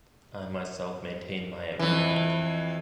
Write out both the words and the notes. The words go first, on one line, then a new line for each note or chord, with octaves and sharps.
I myself maintain my amendment.
F2 E3